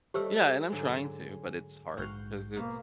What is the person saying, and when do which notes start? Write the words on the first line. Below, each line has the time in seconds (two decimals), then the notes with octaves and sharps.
Yeah, and I'm trying to, but it's hard, 'cause it's
0.14 G3 A3 G4 A4 C5 C#5 D#5 E6
0.72 G#2 D3 F#3 G#5
1.97 A#1 G#2 F#4 F5 G6
2.56 B2 A#3 A#4